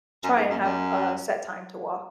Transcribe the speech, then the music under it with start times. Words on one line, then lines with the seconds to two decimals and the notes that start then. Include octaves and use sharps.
try and have a set time to walk.
0.23 F#2
0.37 G#2
0.50 F#2
0.63 F#2